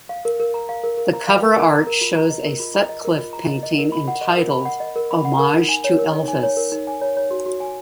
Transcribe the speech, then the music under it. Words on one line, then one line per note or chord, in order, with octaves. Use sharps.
The cover art shows a Sutcliffe painting entitled "Homage to Elvis".
F5
A#4
A#4
A#5
F5
A#4
A#4
A#5
F5
A#4
A#4
A#5
A#4
F4
A#5
D#5
A#4
F4
A#5
D#5
A#4
F4
A#5
D#5
D#5
A#4
B5
F#5
D#5
A#4
B5
F#5
D#5
A#4
B5
F#5
A#4
D#4
G#5
C#5
A#4
D#4
G#5
C#5
A#4
D#4
G#5
C#5
C#5
F#4
F#4
G#5